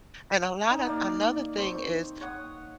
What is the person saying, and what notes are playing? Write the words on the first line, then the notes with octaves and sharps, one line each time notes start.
and a lotta another thing is,
D#4
A#3 D#4 D5
C4 C#6
C#5 F#5 D#6